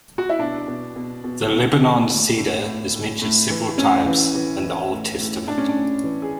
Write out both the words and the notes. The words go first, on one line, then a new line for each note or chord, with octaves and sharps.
The Lebanon Cedar is mentioned several times in the Old Testament.
F#4
E4
B2 D4
B2
B2
B2
B2
B2
A2
A2
A2
A2
A2
E3
A2 C#4
E3
E3
E3
A2
A2
A2 D4
C#4
D4
A2
E3
G#4